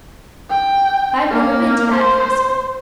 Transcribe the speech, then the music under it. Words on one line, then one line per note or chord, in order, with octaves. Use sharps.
"I have never been to that castle."
G5
A#3
C5